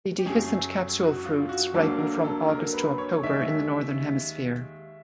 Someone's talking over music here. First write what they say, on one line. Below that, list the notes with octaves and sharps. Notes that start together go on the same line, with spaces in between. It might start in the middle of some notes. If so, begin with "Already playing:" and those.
The dehiscent capsule fruits ripen from August to October in the northern hemisphere.
G4
F#2 C#3 F#3 A3 G#4
F#4
F4
F#4
D2 D3 F#3 A#3 A4
A#4
A4
A#4
B4
C#5
D#2 D#3 G#3 E5